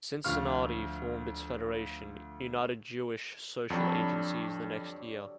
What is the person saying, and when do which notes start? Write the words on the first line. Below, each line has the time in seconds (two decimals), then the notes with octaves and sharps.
Cincinnati formed its federation, United Jewish Social Agencies, the next year.
0.24 D2 F3 F5 C#6 F6
3.70 F2 D3 F#3 G3